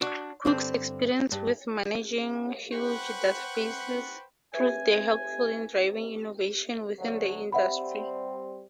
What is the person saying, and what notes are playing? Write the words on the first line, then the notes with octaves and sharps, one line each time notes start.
Cook's experience with managing huge databases proved helpful in driving innovation within the industry.
D4 F#4
G2 D3 C4
G2
B4 C5 F#5 G5 B5 C#6
B4 E5 G#5
D2 F#3
G3 C4 E5 F#5 B5